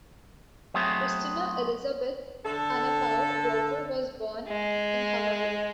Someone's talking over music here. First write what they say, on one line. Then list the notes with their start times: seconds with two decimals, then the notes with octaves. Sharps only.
Kristina Elizabeth Anapau Roper was born in Hawaii.
0.74 F#3 A3 B3 C4 G#4
2.45 D3 A4
4.48 G#3